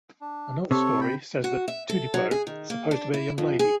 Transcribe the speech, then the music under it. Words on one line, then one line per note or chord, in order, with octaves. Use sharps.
Another story says that Tudipo is supposed to be a young lady.
D4
C3 A4 C#5
G5 B5
F#4
E5
A4
F#3
G#4
D#3
A#3
D4
E4
F2
G#4